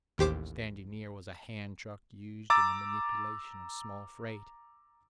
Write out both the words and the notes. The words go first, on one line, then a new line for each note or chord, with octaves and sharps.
Standing near was a hand truck used in the manipulation of small freight.
A1 D#2 G4 C5 D6
A#5 D6 E6 A6